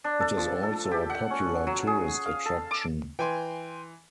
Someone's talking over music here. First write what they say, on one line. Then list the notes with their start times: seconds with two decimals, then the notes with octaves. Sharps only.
It is also a popular tourist attraction.
0.04 D4
0.21 A4
0.37 F3
0.63 A4
0.91 G4
1.10 F#5
1.30 C#4
1.67 F#3
1.87 G#4
2.25 F5
2.45 A4
2.71 D6
3.19 E3 G5 G#5 C6